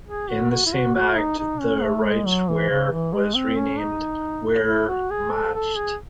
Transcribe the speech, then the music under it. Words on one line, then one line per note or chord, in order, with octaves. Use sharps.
In the same act, the "Reichswehr" was renamed "Wehrmacht".
G#4
F#4
F#4
E4
F#4
F#4
D#4
D#4
C#4
A3
G#3
F#3
E3
C#3
E3
G#3
C4
C#4
D#4
E4
F#4
G#4
A4
A4
G#4